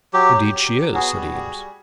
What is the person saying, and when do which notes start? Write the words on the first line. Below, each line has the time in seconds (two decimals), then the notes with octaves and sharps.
"Indeed she is," said Eames.
0.14 F#3 G4
0.34 F#3
0.53 F#3
0.74 F#3
0.94 B3 F#4 G#4
1.13 G3
1.33 G3
1.54 G3